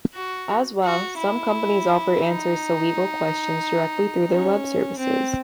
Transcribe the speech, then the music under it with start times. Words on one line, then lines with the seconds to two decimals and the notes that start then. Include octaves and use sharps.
As well, some companies offer answers to legal questions directly through their web services.
0.14 F#4
0.84 F#4
1.18 E4
2.22 D#4
4.29 C#4
4.97 C4